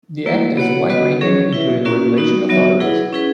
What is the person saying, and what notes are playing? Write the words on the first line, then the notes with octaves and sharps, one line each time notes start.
The act is wide-ranging including regulation of lotteries.
A#3 E4 B4
B3 F#4 C#5 F#5
B3 F#4 B4 D#5
F#3 C#4 G#4 C#5
E4 B4 E5
A#3 C#4 F#4 A#4
B3 D#4 F#4
F#3 B3 F#4 C#5 E5
E4 G#4 B4 F#5
C#4 E4 G#4 B4